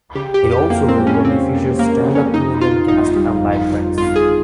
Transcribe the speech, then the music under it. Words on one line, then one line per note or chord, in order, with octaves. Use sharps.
It also regularly featured stand-up comedian guests and live bands.
C#3 G4
G4
F2
G4
F2 A#3
C4
G#3
C#4
C#3 C4
F2
C#3 A#3
C#3
C#4
F2 D#4
F2 F4
G1 D#4
G3
F2
F2
G1 F4
G#4